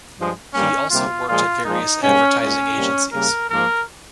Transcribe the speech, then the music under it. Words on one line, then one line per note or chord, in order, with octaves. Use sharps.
He also worked at various advertising agencies.
G2 F3 G#3
G2 G3 A#3 C#4
C3 G3 A#3 F4
A#2 F3 G#3 F4
A#2 F3 G#3 D#4
G#2 G3 A#3 C#4
A#2 G#3 C#4
C3 G3 A#3
C#3 G3 A#3 A#4
G#2 F3 A#3 A#4